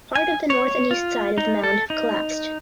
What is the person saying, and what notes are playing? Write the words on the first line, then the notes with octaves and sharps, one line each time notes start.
Part of the north and east side of the mound have collapsed.
G#5
C#5
F4
D#4
A4
D#4